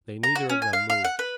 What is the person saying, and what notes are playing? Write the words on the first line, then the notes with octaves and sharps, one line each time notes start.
They neither of them moved.
A#5
F#4
C#4
G#5
F5
F5
F#5
B4